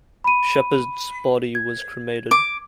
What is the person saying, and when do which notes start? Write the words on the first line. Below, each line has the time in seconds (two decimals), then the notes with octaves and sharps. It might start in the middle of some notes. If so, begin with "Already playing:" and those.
Shepard's body was cremated.
0.24 B5 D#7
1.55 G#6
2.31 D6